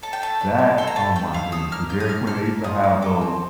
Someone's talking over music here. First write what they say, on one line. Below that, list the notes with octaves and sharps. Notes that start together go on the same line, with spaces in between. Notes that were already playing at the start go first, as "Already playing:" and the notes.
That, oh my goodness, the Dairy Queen, they used to have those
A4 A5
G5
A3 A5
D4
A3
A4 C6
A#5
A3 A5
D4 G5
A3 F5
A4 D#6
A#3 F6
F4 G6
D#6
A#3 F6
A4 F6
A#3
F4 D#6
A#3
A4 D6
C4